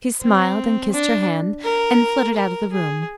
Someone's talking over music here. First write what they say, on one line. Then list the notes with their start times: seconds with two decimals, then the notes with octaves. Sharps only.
She smiled, and kissed her hand, and fluttered out of the room.
0.21 C4
0.93 D4
1.64 A#4
2.37 A#4
2.72 G#4